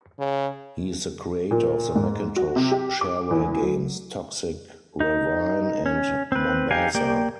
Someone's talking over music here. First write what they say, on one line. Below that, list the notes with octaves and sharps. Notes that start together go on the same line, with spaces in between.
He is the creator of the Macintosh shareware games "Toxic Ravine" and "Mombasa".
C#3
A#2
G#2
F#4
C3
G4
D6
E2
F#3
D#4
C#4
C4 B4
D#4 G4 F5 G5 G#5
A#3 G4 D5 G5